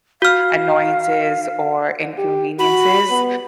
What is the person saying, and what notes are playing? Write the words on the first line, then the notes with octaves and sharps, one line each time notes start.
annoyances or inconveniences,
F#4 F5 F6
G4
F#4 B5
B3